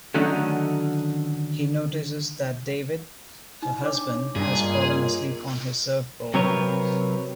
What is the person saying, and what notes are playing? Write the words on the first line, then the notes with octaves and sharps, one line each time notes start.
He notices that David, her husband, has fallen asleep on his surfboard.
D3 D#3 F#3 A3 C#4 D#4
D#4
D4 C#5 D6
G2 A#2 D#3 G#3 G#4
C#5
C3 F#3 C4 A#4 B4 C#5